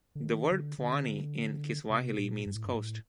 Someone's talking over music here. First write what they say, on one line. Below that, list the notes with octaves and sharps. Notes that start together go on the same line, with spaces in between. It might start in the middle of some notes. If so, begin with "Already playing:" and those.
The word "pwani" in Kiswahili means "coast".
D3
D#3
D3
D3
C3
A#2
G2
A2
G2
A2